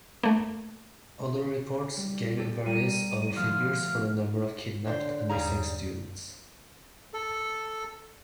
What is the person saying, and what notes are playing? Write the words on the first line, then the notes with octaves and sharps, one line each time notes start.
Other reports gave various other figures for the number of kidnapped and missing students.
A3 A#3
G3
G4 A4
G3 A#4 D#7
D2 F3 F6
D3 C5 C#5 G5
E2 G3 G#4 F5 A#5
A4